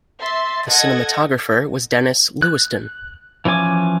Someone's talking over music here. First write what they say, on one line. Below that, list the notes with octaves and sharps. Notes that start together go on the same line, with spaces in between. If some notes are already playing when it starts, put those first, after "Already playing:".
The cinematographer was Denis Lewiston.
E5 C6 A6
A4 D#5 F#5 G#6 A#6
F#6
E3 F3 C#4 G#5 D6